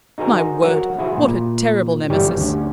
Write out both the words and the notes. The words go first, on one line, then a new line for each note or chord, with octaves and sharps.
My word! what a terrible Nemesis.
D#4 F#4 G#4 A#4 C5 G#5
F#4 A#4 C#5 F#5
E4 F#4 G#4 C5
A#2
G1 E3 G3 G4 C#5 G5
D2 C#4